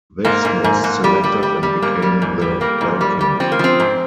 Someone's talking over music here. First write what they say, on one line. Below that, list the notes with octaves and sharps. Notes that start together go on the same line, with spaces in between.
This was selected and became the Welkin.
G#2 A#3
G#2
G#2
G#2
G3
G3
G3
G3
G#2 A#3
G3
G#2
G3
G3 A#3
G#2
G3
G3
F3 C4
A#3
F3 C4
G#2